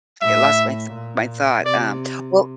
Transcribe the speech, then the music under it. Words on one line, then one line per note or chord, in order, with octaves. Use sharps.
I lost my th my thought, um, well
A2 E5
A#2
C3 D5